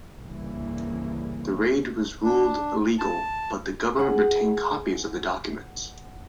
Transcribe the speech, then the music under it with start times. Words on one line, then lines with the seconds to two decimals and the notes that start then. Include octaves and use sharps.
The raid was ruled illegal, but the government retained copies of the documents.
0.20 C2 G2 C#3 E3 A#3
2.23 D4
2.98 A5
3.99 G#4 F#5